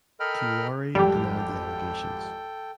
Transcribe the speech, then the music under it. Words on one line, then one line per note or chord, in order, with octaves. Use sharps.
Tiwari denied the allegations.
A4 A#4 D#5 G5 B5 F6
G#1 F2 G3 G4 A4 G5